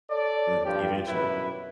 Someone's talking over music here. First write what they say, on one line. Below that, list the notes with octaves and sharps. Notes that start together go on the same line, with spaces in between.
Mhm. Eventually.
A4 C#5 D5
G2 A#2 F3 G4 G5
F#2 B2 E4 B4